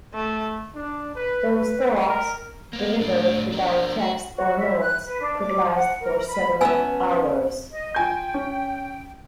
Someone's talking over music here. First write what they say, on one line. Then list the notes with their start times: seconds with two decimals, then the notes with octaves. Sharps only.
Those talks, delivered without text or notes, could last for several hours.
0.14 A3
0.75 D4
1.16 B4
1.52 B4
2.08 A#4
2.73 A#3 B3
3.00 A2 D4
3.52 D4 A#4
3.99 F#4
4.36 F#4
4.58 E5
4.80 F#6
5.05 B4
5.20 D4
5.40 D6
5.75 F#5
6.01 A#4
6.28 B5
6.61 B3 C#4 G#5 A5 E6
7.72 D#5
7.95 F4 G5 G#5 G6
8.34 C#4